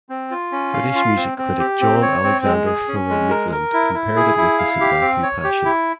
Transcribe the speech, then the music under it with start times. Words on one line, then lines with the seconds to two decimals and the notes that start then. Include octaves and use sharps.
British music critic John Alexander Fuller Maitland compared it with the "St Matthew Passion".
0.09 C4
0.31 F4
0.52 C#4
0.74 F5
0.95 F4
1.17 C4
1.38 C4
1.60 G4
1.81 C4
2.02 C#5
2.24 C4
2.45 G#3
2.66 G#4
2.88 C#4
3.09 G#3
3.30 A#4
3.51 A#4
3.73 E4
3.94 E4
4.16 G#4
4.37 E4
4.59 F5
4.80 G4
5.01 C4
5.23 C#5
5.44 G4
5.65 E4